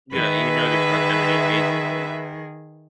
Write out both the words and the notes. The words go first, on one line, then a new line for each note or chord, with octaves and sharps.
Yeah, you know, there's not that many days in a week,
D#3 G#4 B4 E5